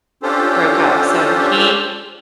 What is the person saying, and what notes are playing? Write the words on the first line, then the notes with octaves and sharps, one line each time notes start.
broke up, so, he
C#4 D4 F4 G4 A4 C5